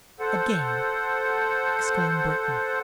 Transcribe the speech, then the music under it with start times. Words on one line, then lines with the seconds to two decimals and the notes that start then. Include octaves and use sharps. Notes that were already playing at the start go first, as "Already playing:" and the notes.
"A game!" exclaimed Breton.
0.20 A4 C5 F#5